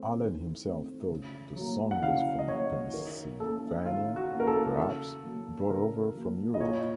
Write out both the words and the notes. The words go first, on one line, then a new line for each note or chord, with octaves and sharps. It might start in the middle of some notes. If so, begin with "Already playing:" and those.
Allen himself thought the song was from Pennsylvania, perhaps brought over from Europe.
Already playing: A3 C4
D#3
A3 C4
C#3
F#3 A#3
F#5
C#3 F5
D#5
F#3 A#3 C#5
D#3 A#4
A#3 C#4 A4
D#3 F4
F#4
A#3 C#4
A#4
A4
C#3
F#3 A#3
C#3 A#4
F#3 A#3
D#5
A#2 C#5